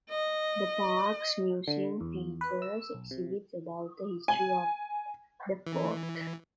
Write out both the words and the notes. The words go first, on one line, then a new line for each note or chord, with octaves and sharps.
The park's museum features exhibits about the history of the fort.
D#5
D3
E2
B4
E6
B1
C3
G#5
E3